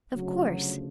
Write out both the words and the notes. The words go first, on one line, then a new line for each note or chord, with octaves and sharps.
"Of course!"
D2 C#3 F3 F#3